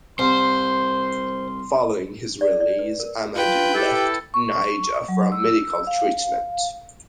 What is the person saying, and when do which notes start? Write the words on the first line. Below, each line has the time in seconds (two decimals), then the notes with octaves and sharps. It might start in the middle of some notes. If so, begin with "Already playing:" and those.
Following his release, Amadou left Niger for medical treatment.
0.19 C2 C5 C6
2.41 D5
2.60 D5
2.79 B4
3.00 A#4
3.35 F4 B4 G5
3.74 E4 G4 A4
4.34 C#6
5.08 F#3
5.32 E6
5.87 F5